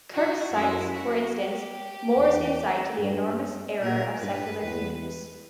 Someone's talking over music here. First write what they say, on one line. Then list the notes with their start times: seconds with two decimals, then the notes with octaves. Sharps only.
Kirk cites, for instance, More's insight into the "enormous error" of secular humanists.
0.13 F#4
0.53 F#2 E4
0.95 F#4
1.36 G4
2.17 E2
2.98 G2
3.81 A#2 A#4
4.21 G2 B4
4.62 E2